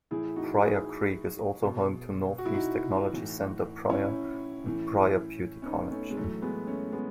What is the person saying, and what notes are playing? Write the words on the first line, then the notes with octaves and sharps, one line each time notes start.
Pryor Creek is also home to Northeast Technology Center-Pryor and Pryor Beauty College.
A2 E3 E4 G#4
D#4 F#4
E4 G#4
B2
F#4
E4
D#4 F#4
A2 E3
C#4 E4
A2 E3
C#4
B3 D#4
A3 C#4
G#3
A2 E3 F#3 A3
G#3 B3
A3 C#4
G#3 B3